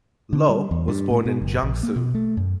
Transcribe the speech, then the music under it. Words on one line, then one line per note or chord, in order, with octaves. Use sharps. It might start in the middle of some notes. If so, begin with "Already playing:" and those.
Loh was born in Jiangsu.
D3
G3
E2
G2
A2
B2
F#1
A#1
A#3
B2
A3
F#2